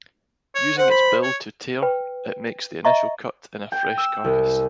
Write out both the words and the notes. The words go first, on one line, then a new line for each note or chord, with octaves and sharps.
Using its bill to tear, it makes the initial cut in a fresh carcass.
C#5
C5 F#5
B5
C#5
B4 G5
D#5 E5 A#5 C#6
G5
E6
C2